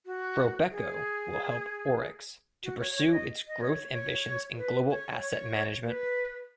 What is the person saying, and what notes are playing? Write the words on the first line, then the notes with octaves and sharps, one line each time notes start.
Robeco will help Orix to pursue its growth ambitions in global asset management.
F#4
G#4
F#4
C#5
C#5
D#5
D#5
C#5
C#5
B4
C#5
C#5
B4